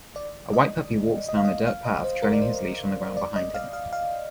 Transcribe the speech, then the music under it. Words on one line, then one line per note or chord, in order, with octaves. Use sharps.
A white puppy walks down a dirt path trailing his leash on the ground behind him.
D5
D#5
D#5
F5
D#5
F5
D#5
C5
A#4
D5
C5
D5
D#5
F5
F5
F5